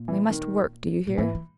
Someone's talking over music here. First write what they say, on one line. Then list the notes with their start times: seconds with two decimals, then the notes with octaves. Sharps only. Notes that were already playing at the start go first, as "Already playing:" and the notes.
We must work, do you hear?
Already playing: A#2
0.08 E3
0.30 D#3
1.07 A#2
1.18 G#2 E3
1.35 E3